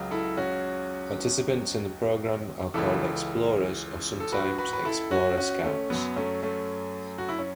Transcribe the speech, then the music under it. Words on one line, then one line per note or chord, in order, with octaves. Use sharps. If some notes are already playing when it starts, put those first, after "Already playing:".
Participants in the program are called Explorers or sometimes Explorer Scouts.
Already playing: C#2 C#3 F#3
E4 A4
C#4 F#4
C#2 C#3 E3 E4 A4
A4
F#4 B4
F#4 B4
B4
E4 A4
C#4 F#4
C#4 F#4
A3 C#4
F#2 F#3 B3
A3 C#4
A3 C#4
F#4
E4
C#4